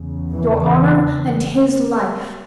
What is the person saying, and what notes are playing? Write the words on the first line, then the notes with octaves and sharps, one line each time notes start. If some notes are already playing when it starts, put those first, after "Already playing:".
Your honor and his life!
Already playing: E2 C#3
E3